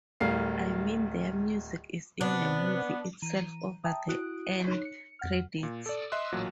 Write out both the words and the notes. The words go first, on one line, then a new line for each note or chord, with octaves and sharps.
I mean, their music is in the movie itself, over the end credits.
D1 A2 G3 A#4 F5 C7
C3 B3 C4 D4
E3 A#5 D#7
E5 G5 A5 A#5 D#6
E4 F#4 D#6 F#6 D7
D#4 C#5 F#6
C#7
F2 F#5 F6
A#2
A4 D5
D#5 E5 C6 F#6
A1 A#2 F#3